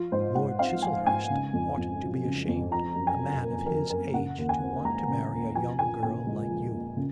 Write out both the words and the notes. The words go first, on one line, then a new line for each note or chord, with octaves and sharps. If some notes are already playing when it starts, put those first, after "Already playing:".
Lord Chiselhurst ought to be ashamed, a man of his age to want to marry a young girl like you.
Already playing: F3 F4
G#2 C5
G#2 F#5
C4 F5
F3 G#5
G#2 G#5
C#3
F2
F2
F#3
C#3
F2
F3 A#5
F#2
G#5
F#2
A#3
F3 A#4
F#2 A#4
C#3 F#5
D#2
G#5
C4
G#3 A#5
C#3
D#2
F3 G#5
A#2 G#5
A#2 G#5
G#3
F3
A#2
C#3